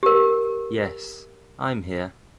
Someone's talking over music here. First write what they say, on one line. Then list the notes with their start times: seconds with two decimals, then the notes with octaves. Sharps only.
Yes, I'm here.
0.03 G4 A#4